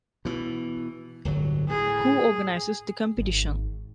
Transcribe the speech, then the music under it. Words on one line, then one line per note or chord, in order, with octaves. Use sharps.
Who organises the Competition?
B2 E3
D1 G1 F#3
A2 G#4
G#1